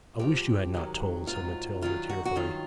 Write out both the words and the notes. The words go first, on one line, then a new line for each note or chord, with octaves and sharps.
'I wish you had not told,' said Matilda tearfully.
G#2 F3 G4
G#2 D#3 F#3
G#2 D#3 F#3 F4
G2 D#3 F#3 F4
F#4
F#4
G2 D#3 F#3 F4